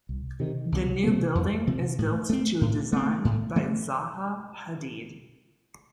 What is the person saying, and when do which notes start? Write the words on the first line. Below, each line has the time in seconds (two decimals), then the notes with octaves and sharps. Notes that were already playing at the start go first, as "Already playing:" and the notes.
The new building is built to a design by Zaha Hadid.
0.09 C2
0.40 C3 D#3
0.72 C2
1.04 C3 F3 A#3
1.35 F2
1.67 C3 F3
1.99 A2
2.30 A3 C4
2.61 A2
2.93 A3 C4
3.25 A2
3.56 F3 A3